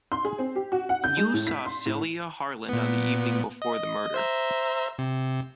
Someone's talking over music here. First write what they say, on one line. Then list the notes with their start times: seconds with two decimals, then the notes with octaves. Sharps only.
You saw Celia Harland on the evening before the murder.
0.12 C6
0.25 G#4
0.39 C4
0.56 G4
0.72 F#4
0.89 F#5
1.04 G6
1.17 G#3
1.34 A2
1.47 B6
1.66 C6
1.86 A2
2.69 A#2 B3
3.62 D#5
4.14 C5 E5 A#5
4.99 C3